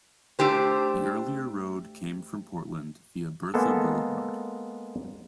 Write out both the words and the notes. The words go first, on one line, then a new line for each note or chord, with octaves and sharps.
The earlier road came from Portland via Bertha Blvd.
A3 D4 G4 C5
G#3 A#3 B3 A4